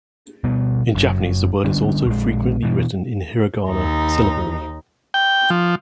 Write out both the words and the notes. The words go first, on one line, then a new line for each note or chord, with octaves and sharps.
In Japanese the word is also frequently written in hiragana syllabary.
B2 G3 B3
F#1 F#2
D3 G3 C#4 D4
A#1 G#3
B2 E3
D#2 D#4
G5
F3